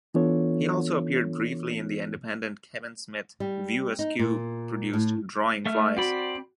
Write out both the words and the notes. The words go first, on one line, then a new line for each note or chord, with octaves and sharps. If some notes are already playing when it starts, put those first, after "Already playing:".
He also appeared briefly in the independent Kevin Smith View-Askew produced Drawing Flies.
E3 B3 D4 F4 A4 C#5
G3
D#4
A#2
A2
A3 E5 F6
C4 F#4 D5 B5